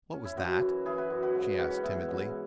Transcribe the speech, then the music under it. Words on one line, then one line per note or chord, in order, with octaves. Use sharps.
"What was that?" she asked timidly.
C#4
E4
F#2 C#4 F#4
E3
E3 E4 G#4
F#4 B4
F#2
F#4 B4
G#2
E3 C#4 F#4
F#4
E3 B3 E4
G#2 C#4